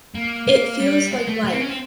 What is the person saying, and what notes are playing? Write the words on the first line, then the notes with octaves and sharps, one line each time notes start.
It feels like life.
A#3
A#3
G3
G#3
A3
A3
C4
C#4
C4